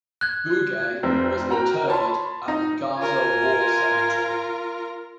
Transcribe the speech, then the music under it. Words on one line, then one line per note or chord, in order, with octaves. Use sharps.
Boughey was interred at the Gaza War Cemetery.
F#6 G#6
F1 C4
F#4 A#4 G5 A#5
C#5 A5 B5 C6
D#4
F4 A#4 G#5